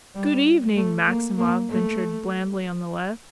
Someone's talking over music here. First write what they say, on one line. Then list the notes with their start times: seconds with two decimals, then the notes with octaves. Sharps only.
"Good evening," Maximov ventured blandly on the left.
0.15 G3
0.76 A3
1.07 A#3
1.38 A#3
1.69 A3